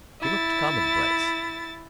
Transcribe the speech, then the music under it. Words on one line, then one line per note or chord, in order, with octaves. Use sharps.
He looked commonplace.
E4 A6